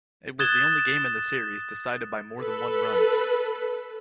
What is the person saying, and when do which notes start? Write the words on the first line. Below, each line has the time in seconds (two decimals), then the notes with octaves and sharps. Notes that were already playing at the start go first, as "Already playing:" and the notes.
It was the only game in the Series decided by more than one run.
0.39 D#6 F#6 G#6 A6 E7 G7
2.39 A4 B4